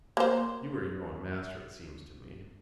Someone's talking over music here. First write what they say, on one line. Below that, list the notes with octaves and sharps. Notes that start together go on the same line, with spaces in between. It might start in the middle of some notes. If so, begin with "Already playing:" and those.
You are your own master, it seems to me.
A#3 C5